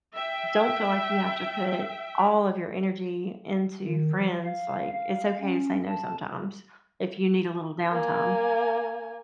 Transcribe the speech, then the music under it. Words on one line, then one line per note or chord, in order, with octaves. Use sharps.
don't feel like you have to put all of your energy into friends, like, it's okay to say no sometimes if you need a little downtime.
E5 G5
D#3
F3
F5
F5
C#4
A5
A#3 G#5